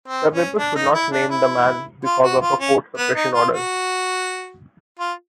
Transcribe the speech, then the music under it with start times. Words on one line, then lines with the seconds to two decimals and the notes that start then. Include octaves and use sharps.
The papers could not name the man because of a court suppression-order.
0.08 C4
0.33 C#4
0.58 D4
0.76 D#4
0.94 E4
1.12 D4
1.31 E4
2.05 F4
2.23 F#4
2.42 F4
2.60 C#4
2.98 B3
3.16 D#4
3.34 F4
3.53 F#4
4.99 F4